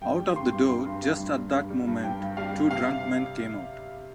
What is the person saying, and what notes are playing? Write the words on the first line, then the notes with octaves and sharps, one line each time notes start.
Out of the door, just at that moment, two drunk men came out.
G2 G5
G3
G2 C6
G2
G2 C6
G2
G2
G2
G3
G2
G3
G2
G2 G5
G2
G3 F5
G3
C3 F5